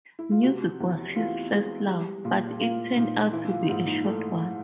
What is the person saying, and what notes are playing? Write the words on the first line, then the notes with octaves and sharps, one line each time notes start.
Music was his first love, but it turned out to be a short one.
E4
F4
C3 F#4
E2
E3 F4
G#3
G3
A#2
A#3 F4
A#2 D#4
E3 E4
E4
F4
D#4
G#2 E4
D#4
A3 D#4